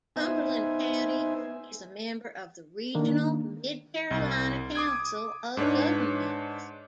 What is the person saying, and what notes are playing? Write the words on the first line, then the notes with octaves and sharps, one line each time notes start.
Cumberland County is a member of the regional Mid-Carolina Council of Governments.
B3 D#4 C5 E5 G#5
D#3 A#3 D4
C2
D6 D#6 G#6
G#2 D4 B4 C#5